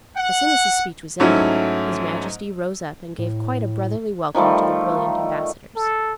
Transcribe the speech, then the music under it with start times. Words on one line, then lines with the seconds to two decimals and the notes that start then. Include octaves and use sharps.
As soon as the speech was ended, his Majesty rose up and gave quite a brotherly welcome to the brilliant ambassadors.
0.16 F#5
1.20 G#2 F#3 A3 C#4 E4
3.18 A2
4.35 D#3 F3 G3 A3
5.76 A4